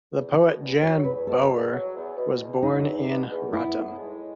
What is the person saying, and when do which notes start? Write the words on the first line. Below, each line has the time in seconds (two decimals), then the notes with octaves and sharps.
The poet Jan Boer was born in Rottum.
0.15 E2
0.37 B2
0.59 E2
0.82 F#3 C#5
1.04 E2 B4
1.27 B2 A4
1.50 E2
1.72 F#3
1.95 E2
2.18 B2
2.41 E2
2.63 F#3 D#4
2.86 E2
3.08 B2
3.30 E2
3.53 B3 E4
3.76 A2
3.98 G#3